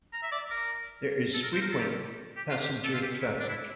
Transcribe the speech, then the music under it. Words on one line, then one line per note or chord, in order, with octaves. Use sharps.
There is frequent passenger traffic.
A#5
E5
D5
A#4
A4
A#4
C5
A#4
A4
G4
G4
F4
G4
A4
F4
G4
E4
D4
E4